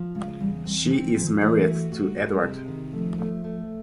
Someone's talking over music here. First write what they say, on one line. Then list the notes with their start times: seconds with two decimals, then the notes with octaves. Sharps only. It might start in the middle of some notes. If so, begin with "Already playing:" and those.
She is married to Edward.
Already playing: F3
0.15 C#3 G#3
0.40 E2 G3
0.65 G3 C4
0.84 E3
0.90 C4
1.03 E3
1.16 F3
1.22 D#3
1.41 E3 A3
1.66 F#4
1.92 F#4
2.17 G#3
2.42 C3
2.68 D#3
2.93 F3 A3
3.18 A3
3.44 A3